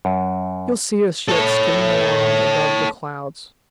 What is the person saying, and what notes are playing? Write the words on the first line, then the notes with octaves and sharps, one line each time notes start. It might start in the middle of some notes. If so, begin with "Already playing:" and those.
"You'll see us yet skimming along above the clouds."
F#2
A4 C#5